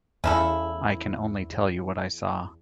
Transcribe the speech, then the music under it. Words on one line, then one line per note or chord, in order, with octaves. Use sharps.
I can only tell you what I saw.
E2 C#3 E4 A4